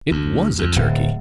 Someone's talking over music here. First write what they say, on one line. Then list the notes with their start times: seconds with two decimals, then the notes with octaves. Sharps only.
It was a Turkey!
0.11 D2
0.59 F2
0.76 D1